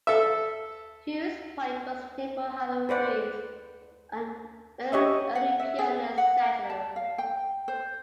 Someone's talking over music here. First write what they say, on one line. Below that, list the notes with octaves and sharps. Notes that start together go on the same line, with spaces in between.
Hewes Point was named for Paola Hewes, an early pioneer settler.
A4 E5
B4 C5 D5 F#5
G4 C#5 D#5 E5
F#5
E5
G#4
F#5
A5
F5
G5
C5